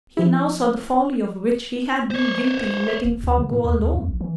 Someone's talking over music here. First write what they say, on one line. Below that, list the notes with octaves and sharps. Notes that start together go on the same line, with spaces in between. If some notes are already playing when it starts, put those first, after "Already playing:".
He now saw the folly of which he had been guilty in letting Fogg go alone.
F3 E4
C5 C#5
D#1
D2
C#3
A2
D#2
D2
F2
A#1
E3